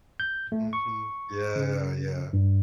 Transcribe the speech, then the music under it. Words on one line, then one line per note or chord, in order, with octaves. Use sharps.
Mhm. Yeah, yeah.
G6
A3
C#6
C#3
G2